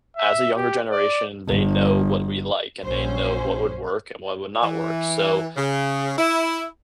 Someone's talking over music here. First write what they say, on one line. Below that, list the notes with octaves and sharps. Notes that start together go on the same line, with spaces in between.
as a younger generation, they know what we like and they know what would work and what would not work. So,
E5
G4
D5
G1
A#1 C#4 C5
E3
C#3
E4